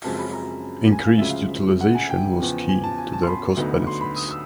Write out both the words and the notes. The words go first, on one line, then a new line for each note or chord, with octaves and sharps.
Increased utilization was key to their cost benefits.
F#2 C#3 F3 G#3 C4 A5
B5
A#5
G#5
F5
D2 C#3 F3 G#3 E5
F5
F#5
G#5
G5
E2 C#3 F3
G#5
A5
G#5
A5
C6
B5
D2 D3 F#3 B3 D#4
C6
B5
D#6
E6